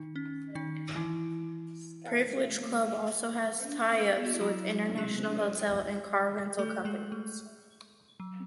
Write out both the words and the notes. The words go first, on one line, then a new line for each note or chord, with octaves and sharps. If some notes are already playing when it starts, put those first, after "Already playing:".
Privilege Club also has tie-ups with international hotel and car rental companies.
Already playing: D#3 D#4
C#4
D#3 D#4
E3 E4
G#4
F#4
E4
F#3 F#4
G#3 G#4
A3 A4
G#3 G#4
A3
F#3